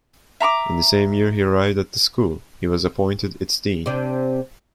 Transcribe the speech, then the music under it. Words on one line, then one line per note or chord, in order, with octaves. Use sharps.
In the same year he arrived at the School, he was appointed its dean.
E5 A#5 C#6 D6
C3 D4